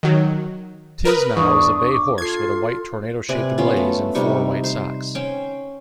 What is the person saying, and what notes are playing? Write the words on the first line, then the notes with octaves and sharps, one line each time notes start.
Tiznow is a bay horse with a white tornado-shaped blaze and four white socks.
D#3 F#3
A#4 B4 D#6
E2 D4 C#6 D#6
D6
F4 A4 G#6 C7
C3 B4 D5 G#5
B3 C#4 F4
A3
C3 G3 D#4 C#6
C5
C#4 C5 G5